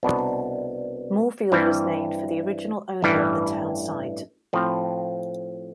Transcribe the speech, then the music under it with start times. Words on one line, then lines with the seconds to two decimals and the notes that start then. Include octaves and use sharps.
Moorefield was named for the original owner of the town site.
0.03 C2 B2 B3 D4
1.52 G2 E3 G3 C4 E4
3.02 A1 G2 E3 G3
4.53 A2 F3 C4